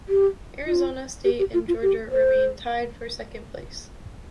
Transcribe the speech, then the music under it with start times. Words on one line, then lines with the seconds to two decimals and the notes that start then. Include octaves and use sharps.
Arizona State and Georgia remained tied for second place.
0.09 G4
0.67 F4
1.24 G4
1.39 G4
1.54 F4
1.68 F4
1.82 G4
2.11 C5